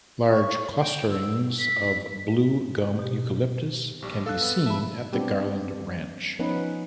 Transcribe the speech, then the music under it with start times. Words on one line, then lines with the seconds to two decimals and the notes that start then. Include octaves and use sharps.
Large clusterings of Blue Gum eucalyptus can be seen at the Garland Ranch.
0.31 C#6
0.79 G5
1.10 E6
1.59 B6
2.99 B2 G4
4.02 A#1 G3 C#6
4.26 A4 F5 E6 F#6
4.40 B3
4.66 E5 A5 B5
5.13 G3 B3 C4 D4 G4
6.39 F3 B3 C#4 D#4 B4